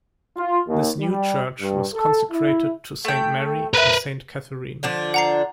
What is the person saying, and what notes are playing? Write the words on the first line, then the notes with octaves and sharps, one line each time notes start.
This new church was consecrated to Saint Mary and Saint Catharine.
F4
D#2
G3
G2
A4
E4
A3 G5
A#4 B4 E5 F#6
D3 F3 D4
F#5 A#5 C7